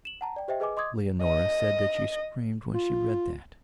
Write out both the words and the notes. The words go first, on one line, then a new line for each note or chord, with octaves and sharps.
Leonora said that she screamed when she read that.
E7 F#7
F#5 A5 A#5
D5 G5
G4 C5 D#5 E5 G5
G#4 B4 D#5 G#5 D6
D#5 C6 D6 D#6 G#6
D#5
F4